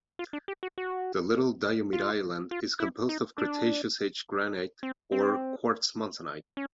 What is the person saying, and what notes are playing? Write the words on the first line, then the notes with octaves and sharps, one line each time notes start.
The Little Diomede island is composed of Cretaceous age granite or quartz monzonite.
F4
D4
G4
F#4
F#4
F4
F4
E4
D#4
D4
C4
C4
C#4